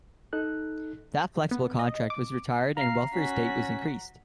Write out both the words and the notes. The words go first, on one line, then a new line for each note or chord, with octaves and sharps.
That flexible contract was retired and welfare state was increased.
D#4 A4 F#6
B3
D#5
D6
F5 A#5 C7
C#4 F#4 B6